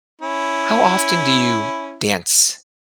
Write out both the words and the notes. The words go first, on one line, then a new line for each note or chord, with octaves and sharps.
How often do you dance
C#4 E4